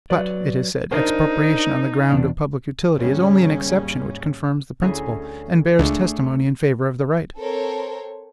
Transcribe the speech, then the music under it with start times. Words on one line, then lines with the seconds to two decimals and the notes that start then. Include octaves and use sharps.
But, it is said, expropriation on the ground of public utility is only an exception which confirms the principle, and bears testimony in favor of the right.
0.10 F#3 B4 D5
0.92 D4 D#4 A#4 C5
2.10 E2 B2 D4
2.97 D#2 G#2 C#3 G3 C#4
4.81 D2 C#4 E4 G#4 G#5
5.79 C#2 A3 D4 G#4
7.37 C4 A4 A#4 C5 C#5